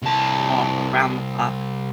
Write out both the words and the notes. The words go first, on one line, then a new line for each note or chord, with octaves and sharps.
all around the clock.
C2 A5